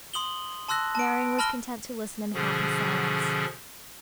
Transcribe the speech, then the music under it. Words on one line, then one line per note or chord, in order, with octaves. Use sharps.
Marian was content to listen in happy silence.
C6 D#6 F#7 G7
A5 C6 E6 F#6 A#6
A5 D7
A5 B5 F6 A#6 G7
B2 D3 F3 C#4 G#4